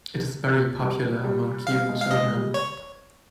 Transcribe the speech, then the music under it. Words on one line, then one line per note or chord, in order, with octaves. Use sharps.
It is very popular among Cuban children.
G3
G3
G3 F5
G#3
F5
G#3 D#5
G3
C#5